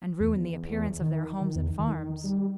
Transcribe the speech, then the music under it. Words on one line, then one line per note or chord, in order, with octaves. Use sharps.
"And ruin the appearance of their homes and farms."
E2
D#3
D#3
E2
D#3
G3